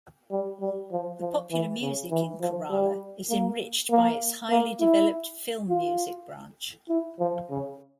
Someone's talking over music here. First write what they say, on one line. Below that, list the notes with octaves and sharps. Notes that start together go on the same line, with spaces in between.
The popular music in Kerala is enriched by its highly developed film music branch.
G3
G3
F3
F3
E3
C#3
E3
F3
G3
A#3
A#3
A#3
E4
F4
E4
F3
C#3